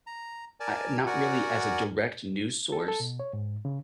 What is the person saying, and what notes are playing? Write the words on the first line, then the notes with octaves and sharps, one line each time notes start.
I not really as a direct news source,
A#5
A#4 D5 G#5 A5
F#4 A#4 D5 F#5 G#5
A4
A4
B2
C#5
G#2
C#3